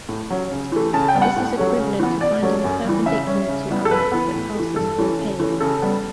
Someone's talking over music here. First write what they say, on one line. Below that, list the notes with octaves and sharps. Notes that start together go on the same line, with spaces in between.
This is equivalent to finding a perpendicular to "l" that passes through "p".
A2
F#3 C#4
C#3
E3 A3
C#3 A5
G5
G3 B3
F#5
A2
F#3 A3 C#4
C#3
E3 B3
B2 D5
F#3 A3 C#4
F#2
E3 G3
C#3 E5
G3 C#4
C#3
E3 G3 B3
A4
F#2 B4
E3 B3
A2
E3 A3
G2 A4
E3 A3 C#4
C#3
E3 A3 C#4
C#3 A4
G3 B3